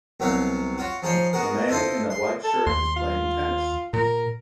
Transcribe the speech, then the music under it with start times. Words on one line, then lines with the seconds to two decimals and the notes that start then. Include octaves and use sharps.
A man in a white shirt is playing tennis.
0.20 C2 B2 F#3 C#5 E5 F5
0.78 F4 F#4 C#5
1.02 F3 D#4 G#4 C5 C#5
1.33 B3 F#4 G#4 A#4
1.68 E4 F4 A4 C5 D#5
2.10 C6
2.44 A4
2.67 D#2 C6
2.96 F4
3.93 A#2 A#4